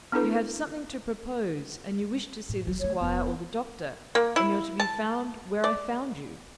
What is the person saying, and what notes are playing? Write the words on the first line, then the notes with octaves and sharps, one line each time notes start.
You have something to propose, and you wish to see the squire or the doctor, and you're to be found where I found you.
B3 D4 E4 A4 B4
F#2 A2
E1 F#3
D3 A3 C#5
F1 B3 F4
A#3
E4
A5
D5